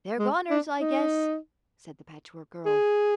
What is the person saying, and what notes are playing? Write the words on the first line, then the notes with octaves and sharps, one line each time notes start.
"They're goners, I guess," said the Patchwork Girl.
G#3
D4
D#4
G#4